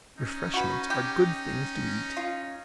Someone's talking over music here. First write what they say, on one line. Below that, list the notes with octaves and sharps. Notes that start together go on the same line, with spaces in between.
"Refreshments are good things to eat!"
C#4 D#4
F#4 B4
G4
F4